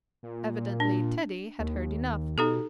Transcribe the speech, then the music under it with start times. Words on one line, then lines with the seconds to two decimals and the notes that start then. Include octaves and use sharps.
Evidently Teddy had heard enough.
0.23 A#2
0.80 D4
1.59 D#2
2.38 B2 D#4 G4 A4